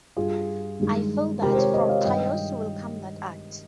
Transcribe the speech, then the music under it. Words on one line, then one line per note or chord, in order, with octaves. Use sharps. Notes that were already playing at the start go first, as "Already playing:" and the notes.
I feel that from Taos will come that art.
G2 G3 F4 G#4
G2 D#3 G#3
C3 D#3 G#3 G4 A#4
C5
A#4 C#5
C5 D#5
C#5 F5
G2 D#3 G#3 D#5 G5